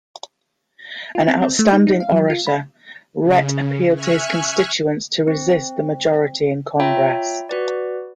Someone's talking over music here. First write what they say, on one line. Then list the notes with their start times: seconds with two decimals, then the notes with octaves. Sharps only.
An outstanding orator, Rhett appealed to his constituents to resist the majority in Congress.
1.15 F4
1.28 C4
1.42 C4
1.59 A3
1.73 D#4
1.87 D#4
2.00 F5
2.12 F#3
2.30 F4
2.47 B5
3.23 C#3
3.95 E5 G#5 C#6 F6 F#6
5.28 C4
6.80 F4 C#5 E5 G5 A#5 B5
7.49 F#4 B4 D5